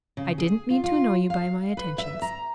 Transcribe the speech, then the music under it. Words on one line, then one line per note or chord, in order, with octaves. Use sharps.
I didn't mean to annoy you by my attentions.
C#3
G#4
F4
F4
F5
B4
E5
A#5